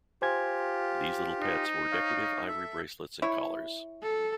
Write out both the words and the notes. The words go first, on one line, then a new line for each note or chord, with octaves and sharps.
These little pets wore decorative ivory bracelets and collars.
F4 G4 C5 G#5 G#6
D#4
C#5 F5
A4 E5
E4 C#5
A4